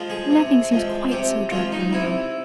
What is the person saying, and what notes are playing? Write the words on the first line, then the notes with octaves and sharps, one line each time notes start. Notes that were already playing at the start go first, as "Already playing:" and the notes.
Nothing seems quite so dreadful now.
Already playing: F3 G#3
G#4
C3
F3 G#3
C3 G4
F3 G#3 F4
D#4
C3 E4